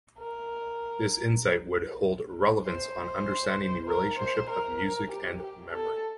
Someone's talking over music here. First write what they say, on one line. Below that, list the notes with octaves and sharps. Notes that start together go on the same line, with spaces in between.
This insight would hold relevance on understanding the relationship of music and memory.
A#4
C5
A#4
C5
A#4
G4
G4
A4